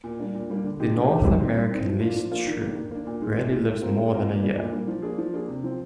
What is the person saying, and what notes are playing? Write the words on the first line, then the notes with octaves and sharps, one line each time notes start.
The North American least shrew rarely lives more than a year.
A#2
G3 A#3 D4
A#2
G3 A#3 D4
D3
G#3 D#4 G4
D3
G#3 D#4 G4
G3
C4 D#4
G3
C4 D#4
F3
A#3 D4 F4
F3
A#3 D4 F4
D#3
A#3 D4
D#3
A#3 D4
A#2
G#3 D#4
A#2
G#3 D#4
G#3
C4 F4 A#4
G#3
C4 F4 A#4
A#2
G3 A#3 D4
A#2
G3 A#3 D4
F3
A#3 D4 G#4
F3
A#3 D4 G#4
C3
F3 C4